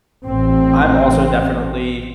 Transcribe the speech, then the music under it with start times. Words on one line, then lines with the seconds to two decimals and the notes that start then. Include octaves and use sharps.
I'm also definitely
0.24 A1 C4